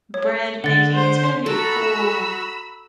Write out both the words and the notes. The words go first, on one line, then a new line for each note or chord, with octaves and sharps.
bread making, it's gonna be a cool,
C#5
D3 F#5 A6
C5
F#4 A4 A#5 B5 E6